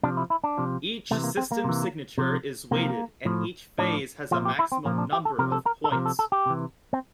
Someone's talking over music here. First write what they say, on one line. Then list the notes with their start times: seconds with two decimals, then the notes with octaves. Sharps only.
Each system signature is weighted and each phase has a maximum number of points.
0.03 C3 F3 D4
0.17 E4
0.30 E4
0.44 D4
0.58 C3 F3
1.11 C3 E3 A3
1.24 A#3
1.37 C4
1.52 A#3
1.64 C3 E3
2.18 C3 F3
2.71 C3 F3 A#3
3.25 A2 F3
3.78 A2 F3 D4
4.31 A#2 F3 F4
4.45 G4
4.59 E4
4.72 C4
4.85 A#2 F3 A#3
4.98 D4
5.13 G4
5.25 A4
5.39 C3 F3 A#4
5.52 A4
5.66 A#4
5.84 A4
5.92 C3 F3 A#4
6.06 A4
6.19 A4
6.32 G4
6.46 C3 E3
6.93 C4